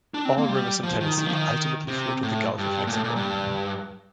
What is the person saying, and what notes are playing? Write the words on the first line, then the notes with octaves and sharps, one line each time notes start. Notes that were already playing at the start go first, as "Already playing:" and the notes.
All rivers in Tennessee ultimately flow to the Gulf of Mexico.
D4
C4
A#3
G3
F3
D#3
D#3
F3
D#3
C3
A2
G2
A#2
A2
A#2
G2